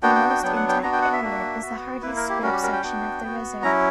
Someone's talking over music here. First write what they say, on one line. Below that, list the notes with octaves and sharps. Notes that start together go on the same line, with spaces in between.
The most intact area is the Hardy's Scrub section of the reserve.
B3 D4 F#4 G5
G5
G5
F#3 B3 D4 G5
F#5
G5
B3 D4 F#4 A#5
G5
F#5
E5
A#3 D4 F#4
B3 F#4
A#3 E4 B4
A#4
G4
G3 C#4 F#4 A#4
G4
A#4
G5
B3 D4 F#4
B3 F#4
F#3 C#4 E4 A#5